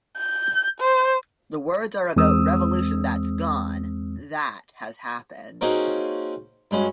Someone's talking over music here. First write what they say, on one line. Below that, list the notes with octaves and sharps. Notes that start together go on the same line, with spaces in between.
The words are about revolution that's gone, that has happened.
G6
C5
E2 G#3 C4 D#6 E6
A#3 C4 C#4 D#4 F#4 G#4
G2 G#3 C#4 F#4